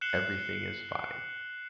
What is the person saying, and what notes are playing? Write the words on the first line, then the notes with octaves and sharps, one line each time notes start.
Everything is fine.
F#6 C7 C#7 E7 F#7 G7